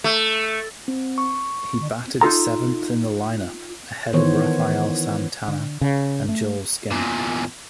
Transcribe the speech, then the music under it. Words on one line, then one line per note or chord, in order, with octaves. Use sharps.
He batted seventh in the lineup, ahead of Rafael Santana and Joel Skinner.
A3
C4
C#6
D#4 F4 A4 A#5
D#3 E3 B3 C5 C#5
D3
C#3
A3
E2 A#2